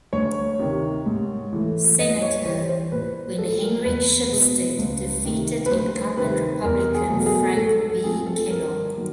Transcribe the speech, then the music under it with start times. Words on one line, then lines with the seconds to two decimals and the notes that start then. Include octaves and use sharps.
Senator, when Henrik Shipstead defeated incumbent Republican Frank B. Kellogg.
0.13 D2 C#5
0.59 C3 D#3
1.06 G#2
1.53 E3 A3
1.99 G2 D#5
2.22 C#5
2.45 E3 G3 C5
2.69 C5
2.92 A#2 B4
3.38 F3 G#3 A4
3.62 A#4
3.85 E2 B4
4.31 B2 G#3 B3
4.78 C#2
5.24 C3 D#3
5.66 B4
5.71 D2 C5
6.17 C3 D#3 B4
6.64 E2 A#4
6.95 G#4
7.10 B2 F#3 A3
7.26 G#4
7.56 G#2 A4
7.80 A4
8.04 F3 A3 C4 G#4
8.27 A4
8.50 G2 A#4
8.97 D#3 F#3 A#3